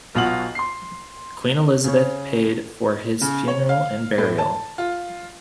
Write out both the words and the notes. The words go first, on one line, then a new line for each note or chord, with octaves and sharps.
Queen Elizabeth paid for his funeral and burial.
B1 B2 F4 F#4 F5 F#7
C6 C7
C#3 C#5
C#3
C#5
F5
A2
A5
F4